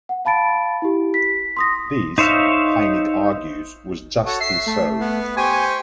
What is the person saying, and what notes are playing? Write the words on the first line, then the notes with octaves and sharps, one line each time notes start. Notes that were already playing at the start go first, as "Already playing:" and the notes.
This, Heynick argues, was justly so.
F#5
F5 A5 B5 A6 D7
E4 G4
B6
C6 D#6 A#6
D#4 C5 C#5 E5 F5
F#4 A4 C#5
E5 C7
A3
B3
G4 C5 G#5 C#6